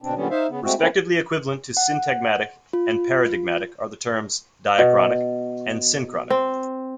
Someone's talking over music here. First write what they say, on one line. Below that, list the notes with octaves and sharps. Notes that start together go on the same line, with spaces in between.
Respectively equivalent to syntagmatic and paradigmatic are the terms "diachronic" and "synchronic".
D2 B2 C4 D4
A#2 D3 F#3 G3 B3 C#4
D#4 C5 E5 F5
C#3 B3
G#3 A3 C4 F#4
F3 A3 A#3 C4 C#4 E4
F#5
F4
B2
C4